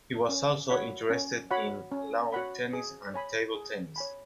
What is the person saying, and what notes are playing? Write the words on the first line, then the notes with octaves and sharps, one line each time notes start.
He was also interested in lawn tennis and table tennis.
C#4
F#4 C#5 F#5 B5
C#4
F#4 C#5 F#5 B5
C#4
F#4 C#5 F#5 B5
G#4
C#5 G#5 B5
G#4
C#5 G#5 B5